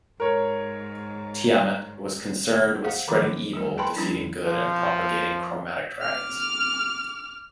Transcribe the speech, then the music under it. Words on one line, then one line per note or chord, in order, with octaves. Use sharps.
Tiamat is most concerned with spreading evil, defeating good, and propagating chromatic dragons.
G#2 A#4 C#5
C5 F5 F#5
D#3 F3 F#3 G#4 D6
G3 A3 A#4
B4 G5 A5 B5 C6
F3 G3 C#4 D4 E4
F3
D6 F6